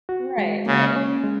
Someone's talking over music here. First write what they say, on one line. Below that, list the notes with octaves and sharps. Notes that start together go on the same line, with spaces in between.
Right, right.
F#4
G#3
C#3 A#3
C#4
G#3